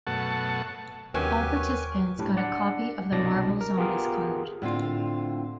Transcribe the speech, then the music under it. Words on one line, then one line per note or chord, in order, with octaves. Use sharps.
All participants got a copy of the Marvel Zombies card.
F#2 B2 A3 F#5 A5 C#6
D#2 C3 F#3 C#4 G4 A#4 B4 G#5
C#5
A2 G3 D4
D4 D5 F#5
C2 B2 F#3 D4 D5 A#6
A#4
B3 F4 G4 G#4 A#4
A2 D3 C4 F4